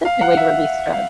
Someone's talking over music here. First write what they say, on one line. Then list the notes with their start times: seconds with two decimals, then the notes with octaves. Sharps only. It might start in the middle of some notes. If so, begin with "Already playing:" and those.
That's a good way to release stre
0.05 F5
0.21 F#5
0.37 E5
0.93 F5